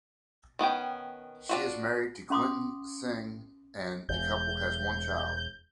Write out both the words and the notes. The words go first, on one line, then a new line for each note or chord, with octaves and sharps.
She is married to Quinton Singh and the couple has one child.
D#3 B3 C#4 G5
D4 F4 F#4
C#4 F5 C6 D6 D#6
E1 G6